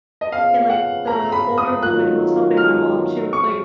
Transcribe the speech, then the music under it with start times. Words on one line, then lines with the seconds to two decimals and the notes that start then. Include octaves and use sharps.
And, like, the older woman who was helping my mom, she was like
0.21 D#5
0.32 F2 C#3 F3 B3 F5
0.70 F#5
1.07 A#5
1.32 B5
1.58 D#6
1.83 D#3 F#3 B3 F4 F#6
2.57 F6
3.33 F2 C#3 F#3 C#6